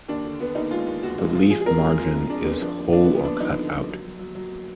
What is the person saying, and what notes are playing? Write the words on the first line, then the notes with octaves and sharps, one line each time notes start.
The leaf margin is whole or cut out.
D#2 D4
D3
D3 B3
D#2 D#4
G#3 F4
D#2
D#2 F#4
G#3
F3 F4
F3 G#4
G#4
F2 A#4
G#3
F2 F4
F2
F2 D4
F2 B3
F3 D4
D#2
D3 D4
B3
F3
B3
D#2 D4
F3 D#4
D3
D#2
F#3
F#3
F#3
F#3